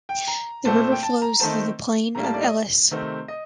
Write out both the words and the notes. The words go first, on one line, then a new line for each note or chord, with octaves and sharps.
The river flows through the plain of Elis.
G5
A#5
A#2 A3 C4 A5
G5
A5
A#5
D#3 A3 C4 A5
A2 G3 A#3 A#5
A5
D5
D#5
C3 D#3 A3 C4
D#5